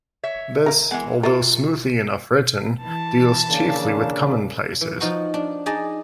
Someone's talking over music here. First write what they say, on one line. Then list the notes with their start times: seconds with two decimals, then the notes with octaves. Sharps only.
This, although smoothly enough written, deals chiefly with commonplaces.
0.23 C#5 E5
0.66 A#4 F5
0.91 E3 G#3 B3
1.23 F4 F#4 A#4 E5
2.83 E3 A5
3.49 C#3 A#3 D4
4.81 E3
5.00 F3 D#4 F#4
5.34 D4
5.66 D#4 G#4 D5 D#5 A5